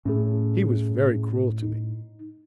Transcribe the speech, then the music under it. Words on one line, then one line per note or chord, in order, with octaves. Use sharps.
He was very cruel to me.
A2 A3 C#4 G#4
D#4